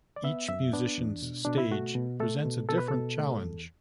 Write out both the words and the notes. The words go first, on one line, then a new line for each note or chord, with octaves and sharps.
Each musician's stage presents a different challenge.
D5
B3 E5
F#2 E5
B3 D4
E2
B2
B2 D4
E4
A3 F#4
B2
A3 A4
B2
B2 A4
B4
A4
B2
A3
E2